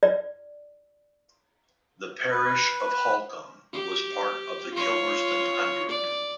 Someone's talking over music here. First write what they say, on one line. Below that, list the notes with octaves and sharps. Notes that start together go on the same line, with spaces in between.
The parish of Holcombe was part of the Kilmersdon Hundred.
D5
B4
G4
F4 C#5
D5